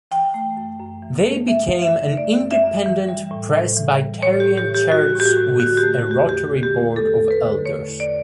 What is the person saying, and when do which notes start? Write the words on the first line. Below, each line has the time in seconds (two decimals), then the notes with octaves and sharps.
They became an Independent Presbyterian church with a rotary board of elders.
0.11 E3 G5
0.34 A3
0.57 F#2
0.80 F#2
1.02 E3
1.26 A3
1.48 F#2 E5
1.72 F#2
1.82 E5
1.94 E3
2.17 A3 D5
2.40 F#2
2.51 E5
2.63 F#2
2.86 E3
3.08 G3
3.31 A2
3.55 A2
3.77 E3
4.00 G3
4.22 A2 C#5
4.40 G4
4.46 A2
4.58 G4
4.68 E3
4.75 G4
4.91 G3 F#4
5.15 A2
5.20 G4
5.25 F#4
5.37 A2
5.60 D3 F#4
5.77 G4
5.83 A3
5.94 F#4
6.06 E2 G4
6.29 E2 G4
6.51 D3
6.63 G4
6.74 A3
6.96 E2 A4
7.20 E2
7.31 B4
7.43 D3
7.65 A3 C#5
7.88 E2
8.00 D5